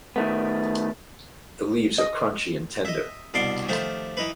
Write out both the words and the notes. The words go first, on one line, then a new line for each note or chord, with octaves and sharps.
The leaves are crunchy and tender.
D#3 A3 B3
D#5
D#5 E5
C2 B2 D4 C6 D6
D#3 F3 A3 G4
E3 D#4 B4